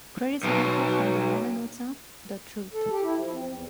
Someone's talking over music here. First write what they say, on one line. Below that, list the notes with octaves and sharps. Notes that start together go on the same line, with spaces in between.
Credits adapted from the liner notes of "The Truth".
B1 B2
A4
G4
E4
F3
C4
E2